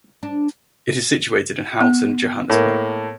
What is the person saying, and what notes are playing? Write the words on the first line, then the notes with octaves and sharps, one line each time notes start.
It is situated in Houghton, Johannesburg.
D4
B3
A2 A#3